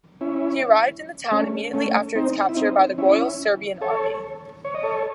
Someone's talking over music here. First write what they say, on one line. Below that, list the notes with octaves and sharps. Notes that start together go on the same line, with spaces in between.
He arrived in the town immediately after its capture by the Royal Serbian Army.
C#4 E4
A3 C#4
A3 C#4
C4 D#4
E4
C4 D#4
C#4 E4
A4 C#5
C#5
D#5
A4 C#5